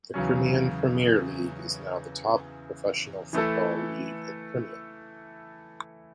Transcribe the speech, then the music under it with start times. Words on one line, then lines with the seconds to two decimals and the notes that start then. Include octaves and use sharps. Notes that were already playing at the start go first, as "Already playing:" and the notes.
The Crimean Premier League is now the top professional football league in Crimea.
0.14 E2 C#3 F#3 C#4
3.33 E3 A3 E4 A4